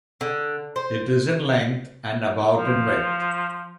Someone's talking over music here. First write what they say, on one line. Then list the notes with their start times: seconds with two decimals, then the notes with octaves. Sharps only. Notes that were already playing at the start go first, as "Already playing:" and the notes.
It is in length and about in width.
0.21 D3
0.76 C5
2.57 F3